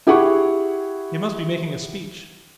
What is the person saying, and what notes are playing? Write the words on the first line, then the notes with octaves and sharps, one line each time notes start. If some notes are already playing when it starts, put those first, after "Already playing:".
He must be making a speech.
E4 G4 G#4 F#5 G5 C#6